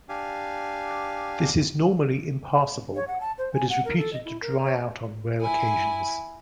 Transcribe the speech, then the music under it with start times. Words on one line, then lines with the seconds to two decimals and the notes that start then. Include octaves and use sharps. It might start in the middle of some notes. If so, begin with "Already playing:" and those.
This is normally impassable but is reputed to dry out on rare occasions.
0.09 D4 G4 F5 G#5
2.96 C#5
3.08 F#5
3.21 A5
3.38 C5
3.54 G#5
3.70 F#5
3.85 A#4
3.97 A4
4.13 D#5
4.25 E4
4.42 A#4
4.64 C#5
5.41 E4 G#5